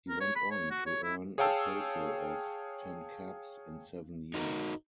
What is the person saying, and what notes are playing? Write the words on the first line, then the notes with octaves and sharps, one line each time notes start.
He went on to earn a total of ten caps, in seven years.
A#4
C#5
B5
C#5
F#4
C#5
E4
G#4 C#5 F5 G5 A5 E6
D#4 F#4 A#4